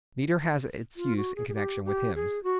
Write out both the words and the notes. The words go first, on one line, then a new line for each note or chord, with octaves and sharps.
Meter has its use in connection with hymns.
F4
F#4
G#4
G#4
G4
G4
G#4
F#4